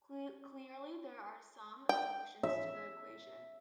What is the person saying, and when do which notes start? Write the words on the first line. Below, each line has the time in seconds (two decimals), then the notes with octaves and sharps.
Clearly, there "are" some solutions to the equation.
1.89 G5
2.43 E5